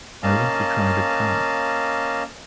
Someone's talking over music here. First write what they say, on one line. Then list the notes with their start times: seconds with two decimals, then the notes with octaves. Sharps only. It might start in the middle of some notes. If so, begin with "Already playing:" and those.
I want to try the car.
0.23 A#3 C#4 D#5 F5 A5